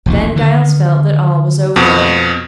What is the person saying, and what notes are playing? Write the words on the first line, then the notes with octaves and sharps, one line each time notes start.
Then Giles felt that all was over.
E1 A#1 E3
D3 D#3
F2 B2